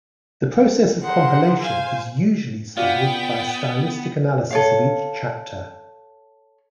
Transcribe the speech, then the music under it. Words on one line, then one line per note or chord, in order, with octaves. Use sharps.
The process of compilation is usually studied by stylistic analysis of each chapter.
G#4 A#4 C5 F#5 C6
C5 F5 G#5
B3 F4 F#4 D5 G5
A4 C#5 F5